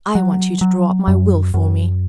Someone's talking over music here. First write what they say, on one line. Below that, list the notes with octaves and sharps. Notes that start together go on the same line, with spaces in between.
"I want you to draw up my will for me."
F#3
F#3
F#2
F#2